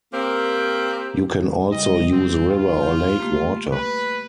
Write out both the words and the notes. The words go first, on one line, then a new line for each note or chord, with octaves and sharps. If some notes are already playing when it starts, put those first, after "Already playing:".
You can also use river or lake water.
A#3 C4 G4 A#4
C#3 G3 D#5
C4
F4
F5 G6
A3 A#3 G4
B4